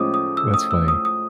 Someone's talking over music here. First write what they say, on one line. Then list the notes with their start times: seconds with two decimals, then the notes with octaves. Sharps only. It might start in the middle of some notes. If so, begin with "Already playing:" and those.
That's funny.
Already playing: A2 F3 G#3 C#4 D6 D#6
0.14 D#6
0.37 E6
0.54 D#6
0.71 E6
0.88 D#6
1.05 D#6